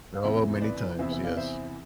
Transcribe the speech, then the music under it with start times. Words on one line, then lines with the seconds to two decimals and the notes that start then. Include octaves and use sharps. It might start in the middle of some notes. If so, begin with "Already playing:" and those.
Oh, many times, yes.
0.15 F5
0.24 E2 C3 E3 C5 E5
0.56 C5
0.61 B4 D5
0.99 E2 C3 E3 C5 E5
1.11 C5 E5
1.24 D5 F5
1.37 C5 E5